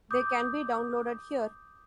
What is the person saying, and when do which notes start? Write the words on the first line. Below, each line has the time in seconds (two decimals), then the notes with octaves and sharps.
They can be downloaded here.
0.11 D6 D#6 G6